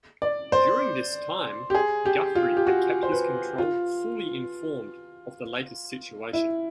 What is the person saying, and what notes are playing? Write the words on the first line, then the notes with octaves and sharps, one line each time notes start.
During this time, Guthrie had kept his control fully informed of the latest situation.
D5
C5
G4
G#4
G4
F4
G4
F#4
C5
B4
F4
E4